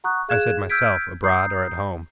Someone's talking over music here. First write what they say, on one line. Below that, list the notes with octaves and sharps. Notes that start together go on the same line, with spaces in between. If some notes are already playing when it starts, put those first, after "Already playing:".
I said myself, abroad or at home.'
F#5 A#5 C#6 D#6 F#6
G#4 F5 F#6 G#6 E7
E6 F6 G6 G#6 B6 D7
A#5 D#6 G6 C7